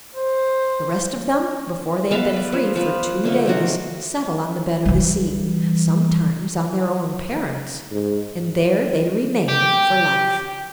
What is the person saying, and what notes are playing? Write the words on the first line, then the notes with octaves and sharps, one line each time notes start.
The rest of them, before they have been free for two days, settle on the bed of the sea--sometimes on their own parents; and there they remain for life.
C5
B3 E5 F5 A5
B4 D5
F3
F3 B4
D3 A3 A#3
C3 D#3 F#4
E3 G3
G#2
G4